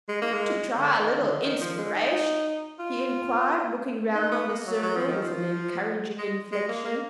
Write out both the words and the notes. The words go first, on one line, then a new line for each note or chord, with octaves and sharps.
"Want to try a little inspiration?" he inquired, looking round on the circle with an encouraging inflexion.
G#3
A#3
G#3
D3
D#3
D3
D#3
F3
G#3
D#4
F4
D#4
B3
A#3
F#3
F#3
F3
D#3
F3
G#3
G#3
A#3
A#3